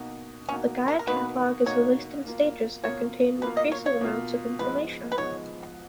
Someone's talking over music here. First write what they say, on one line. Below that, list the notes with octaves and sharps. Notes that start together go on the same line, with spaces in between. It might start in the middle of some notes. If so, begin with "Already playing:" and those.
The Gaia catalogue is released in stages that contain increasing amounts of information.
Already playing: B2 A#3 D#4 F#4
B2 A#3 C#4 D#4 F#4
A#4
A#4
B2 A#3 D#4 F#4 B4
B2 A#3 D#4 F#4 C#5
B2 A#3 F4
B2 A#3 F4 C#5
B2 A#3 F4 B4
D#5
C#5
C#5
B2 A#3 F4
G#2 F3 G#3 B3 B4
B4
G#2 F3 G#3 B3 C#5